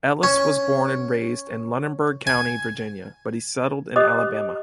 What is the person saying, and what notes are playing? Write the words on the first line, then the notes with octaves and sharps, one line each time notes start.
Ellis was born and raised in Lunenburg County, Virginia, but he settled in Alabama.
C#4
G#5
G4 C5 D#5 D6 D#6